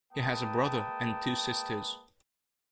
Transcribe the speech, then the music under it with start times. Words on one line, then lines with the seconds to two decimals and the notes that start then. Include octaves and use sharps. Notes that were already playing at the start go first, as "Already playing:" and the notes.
He has a brother and two sisters.
0.13 G#3 A#3 B4 G5 A5 D#6